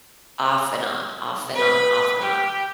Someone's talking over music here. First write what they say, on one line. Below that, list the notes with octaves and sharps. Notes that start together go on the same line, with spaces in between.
Off and on, off and on, off and on,
B4
G4